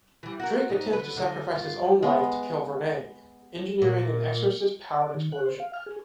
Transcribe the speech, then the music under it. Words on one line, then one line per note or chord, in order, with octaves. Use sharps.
Drake attempts to sacrifice his own life to kill Varnae, engineering an Exorcist-powered explosion.
E3 G3
F#4 A#4
G#2 D#4
D3 B4
D3 D#4
G2 F4
G#3 B3
A#2
D5
D#3
F#6
C5
F5
F6
G#4